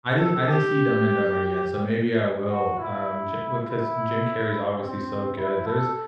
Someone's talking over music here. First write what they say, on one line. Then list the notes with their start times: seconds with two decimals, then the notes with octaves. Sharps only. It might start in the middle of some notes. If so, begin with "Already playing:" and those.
I didn I didn't see Dumb and Dumber yet, so maybe I will, um, cha because Jim Carrey's obviously so good. There's
0.19 A4
0.48 G4
2.50 F#4
2.79 E4
3.65 E4
4.80 C4
5.37 E4
5.67 A4